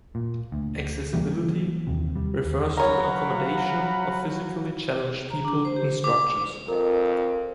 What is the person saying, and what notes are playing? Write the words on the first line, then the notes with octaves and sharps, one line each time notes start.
"Accessibility" refers to the accommodation of physically challenged people in structures.
A#2
D2
E3 G3 A#3 C#4
D#2 C3
G3
D#2
F#3 A#4 C#5 F5 F#5 A#5 B5
G#4
A#5
D4
C5
G4
D6
F2 A#4 D#5